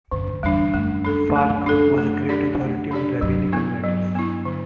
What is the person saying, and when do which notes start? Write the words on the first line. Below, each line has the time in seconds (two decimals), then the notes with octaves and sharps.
Falk was a great authority on rabbinical matters.
0.11 F#2 D3
0.27 G2
0.35 F#2
0.43 E2 G3 D4
0.74 F#2 A3
1.05 D4 A4
1.36 A3
1.66 D4 A4
1.98 A3
2.29 D4 G4 D5
2.60 A3
2.91 D4 G4 D5
3.21 G2 F#3
3.52 B3 E4
3.83 F#3
4.15 B3 E4
4.45 D3